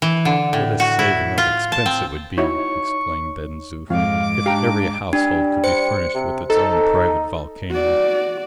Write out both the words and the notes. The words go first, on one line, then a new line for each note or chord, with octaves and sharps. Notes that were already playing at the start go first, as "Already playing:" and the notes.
"What a saving of expense it would be," exclaimed Ben Zoof, "if every household could be furnished with its own private volcano!"
E3
D3
A2
F#4
E4
F4
A5
C4
D#4 E4 F#4 C#5 C#6
F2 G#2 F4 F5 D6
D4 G4 F5 A#5
G3 D4
C5 C#7
C3
D#4 A4
F#4 D5